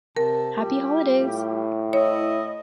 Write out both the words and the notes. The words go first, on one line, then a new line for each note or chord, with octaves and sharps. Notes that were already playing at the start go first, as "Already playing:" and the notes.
Happy Holidays!
C3 A#4 A5
G3 F4 G4
A2
E4 C#5 D#5